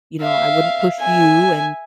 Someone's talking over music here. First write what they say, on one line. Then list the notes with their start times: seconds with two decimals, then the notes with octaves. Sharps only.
you know, "I wouldn't push you and
0.22 E5 F5
1.01 E5 G#5